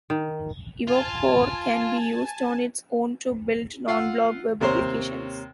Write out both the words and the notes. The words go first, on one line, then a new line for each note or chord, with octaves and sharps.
EvoCore can be used on its own to build non-blog web applications.
D#3
F4 G#5 A5
F4 F5 F#5 E6
D#2 C3 A#4 C5 C#5 C6